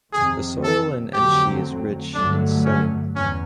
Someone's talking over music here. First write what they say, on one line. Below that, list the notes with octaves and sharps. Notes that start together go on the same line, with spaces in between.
The soil in Enshi is rich in selenium.
F2 C3 D#3 G#4
A4
F2 D3 F#3 A3 C4 G4
G2 D3 F#3 A3 D4
C#4
E2 C#4